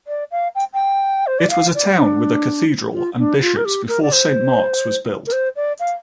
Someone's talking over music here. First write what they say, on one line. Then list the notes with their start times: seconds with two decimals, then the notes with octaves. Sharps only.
It was a town with a cathedral and bishops before Saint Mark's was built.
0.07 D5
0.31 F5
0.55 G5
0.73 G5
1.27 C5
1.39 D5
1.50 F5
1.75 D5
1.98 D4
2.93 F4
3.18 D4
3.41 F4
3.56 A#4
3.65 G4
3.88 A#4
4.02 D5
4.12 C5
5.27 A#4
5.32 C5
5.56 D5
5.79 F5